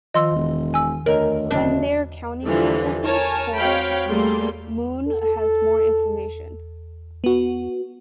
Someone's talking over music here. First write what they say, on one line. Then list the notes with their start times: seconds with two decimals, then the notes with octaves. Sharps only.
Kildare County Council page for Moone has more information.
0.14 D#3 F3 D#5 C6 E6
0.36 E1
0.74 G#5 E6
1.06 D2 A#4 C#5 D#5
1.51 D1 D2 C#4 D4 D#5
2.45 D3 E3 F3 G3 A4
3.05 A#4 C#5 G#5 A5
3.57 C4 F#4 C#5 F5 G5 B5
4.09 G3 A3 A#3 G#4 A4 C6
5.09 A4
7.24 B3 F#4